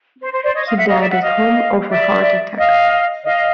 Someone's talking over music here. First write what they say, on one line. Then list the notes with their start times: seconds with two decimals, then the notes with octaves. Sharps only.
He died at home of a heart attack.
0.21 C5
0.32 C5
0.43 C5 D5
0.54 C#5 D#5
0.66 D#5 F5
0.77 E5 F#5
0.88 D#5 F5
1.00 D5 E5
1.11 E5 F#5
1.22 D#5 F5
1.89 D5 E5
2.57 D#5 F5
3.24 D#5 F5